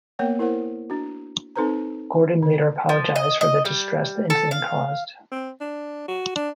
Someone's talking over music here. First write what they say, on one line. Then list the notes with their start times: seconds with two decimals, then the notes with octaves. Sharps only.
Gordon later apologised for the distress the incident caused.
0.19 A#3 B3 A#4 C#5 F#5 G5
0.39 E4 A#4 C5 F#5
0.90 D4 F#4
1.56 C4 D#4 A4 B4 C5 A#5
2.43 D3
2.89 F3
3.16 D#5
3.41 D#5
3.65 G3
4.30 A4
4.51 F5
5.32 C4
5.61 D4
6.08 F#4
6.35 D4